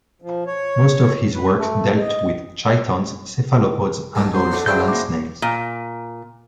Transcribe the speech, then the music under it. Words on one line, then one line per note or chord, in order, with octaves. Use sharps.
Most of his work dealt with chitons, cephalopods, and also land snails.
F3
C#5
B4
A3
D#5
C2 F#2 G4 A5
F#3 C5 C6
A3 D4 F#4
C#3 D4 E4 F#4 C5 G5 E6 G6
A#3 D6
A#2